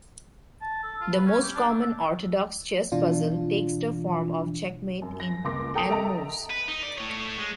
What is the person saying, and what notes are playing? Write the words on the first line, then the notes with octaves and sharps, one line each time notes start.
The most common orthodox chess puzzle takes the form of checkmate in "n" moves.
A5
A4
F4
B4
C#4
G4
D4
E5
B2 E3 D4 F4
F#2
A#6
C#2 A#3 C6 D6 A#6
A4 G5 A#5 D#6 D7 F7
A4 D#5 E5 A5 A#5
B4
D#4
D5
A3 C#5
G#3